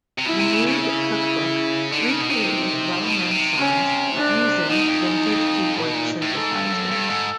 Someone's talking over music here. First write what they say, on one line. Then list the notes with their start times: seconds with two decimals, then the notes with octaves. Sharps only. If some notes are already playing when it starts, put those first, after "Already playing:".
The Moog Cookbook recreated well-known songs using vintage keyboard synthesizers.
0.18 C3
0.26 B2 E4
0.39 C3
0.53 C#3
0.68 C#3
0.82 E4
1.92 D3 D#4
2.10 C#3
2.21 B2
2.30 C3
3.03 B2
3.31 C3
3.58 C#4
4.14 D4
4.70 B2 D#4
4.88 F2
5.07 E2
5.25 F2
5.80 B2 D#4
5.94 A#2
6.22 A2
6.35 G#2 A4
6.55 G2
6.73 F#2
6.91 G2
7.10 G#2